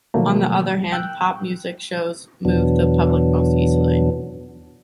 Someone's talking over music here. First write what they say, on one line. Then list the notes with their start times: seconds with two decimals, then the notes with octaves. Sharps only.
On the other hand, pop music shows move the public most easily.
0.14 B2 D#3 F3 F#3 A3 A#3
0.92 G5 E6 F#6 G6
2.45 E2 B2 E3 F#3 B3 D4